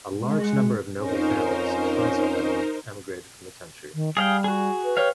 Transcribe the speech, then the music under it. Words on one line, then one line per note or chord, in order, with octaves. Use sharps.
A large number of noble families, consequently, emigrated from the country.
G#3
F2 C#4 D#4 A#4 C5
D#3
G3 G#4 F5 G5
F#4 G#4
B4
G4 C#5 F5